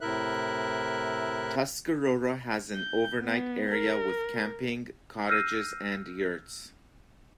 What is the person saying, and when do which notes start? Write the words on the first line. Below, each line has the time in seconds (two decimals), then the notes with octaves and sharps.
Tuscarora has an overnight area with camping cottages and yurts.
0.01 A2 C3 E4 A#4 E5 F#6
2.76 G6
3.21 B3
3.70 A#4
5.29 E6 F6 G6 A#6 C7 D#7